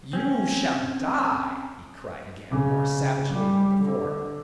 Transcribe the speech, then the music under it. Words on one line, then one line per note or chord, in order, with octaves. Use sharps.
"You shall die!" he cried again, more savagely than before.
C4 C#4
C#3
G3
D3